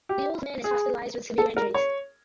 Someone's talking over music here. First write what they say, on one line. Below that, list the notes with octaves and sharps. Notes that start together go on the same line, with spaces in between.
The old man is hospitalized with severe injuries.
G4
G#4
A4
A#4
C#5